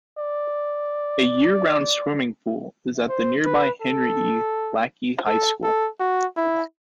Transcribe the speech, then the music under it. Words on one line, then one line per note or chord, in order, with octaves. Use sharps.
A year-round swimming pool is at the nearby Henry E. Lackey High School.
D5
C5
B4
A4
A4
A4
F#4
E4